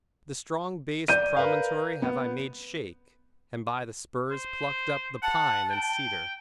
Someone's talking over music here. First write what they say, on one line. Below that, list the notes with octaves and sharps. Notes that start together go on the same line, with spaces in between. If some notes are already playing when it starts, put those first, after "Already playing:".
The strong based promontory Have I made shake, and by the spurs plucked up The pine and cedar.
D5 G6 D#7
A#4 B4 F5
B3
C5
F#5 A5
G5